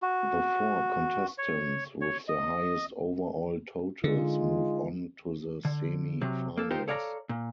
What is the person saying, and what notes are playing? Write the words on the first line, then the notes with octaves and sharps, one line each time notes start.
The four contestants with the highest overall totals move on to the semi-finals.
F#4
C#5
C#5
D#5
D3 G#3 D#4 F4
D3
C3 F#3
A#3 A4
D#4 F4 G4 A#4 C5
A4 C#5 D5 F5 A5 A#5
A#2